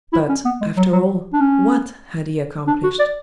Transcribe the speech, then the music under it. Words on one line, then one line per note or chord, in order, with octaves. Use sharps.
But, after all, what had he accomplished?
E4
C#4
B3
G#3
F#3
F#3
D4
C#4
D4
F#4
D5